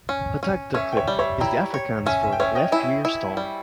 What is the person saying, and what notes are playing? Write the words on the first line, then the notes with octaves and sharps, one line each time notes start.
'Hotagterklip' is the Afrikaans for 'left rear stone'.
C#4
C#4
C#4 C#5 E5
G5
C#5 E5
G3
C#5 E5
E4 G5 A#5
C#5
C#4 E5 G#5
E5 G#5
G5
C#4 C#5 E5
D#5 G5
E4 E5 G#5
E4
G3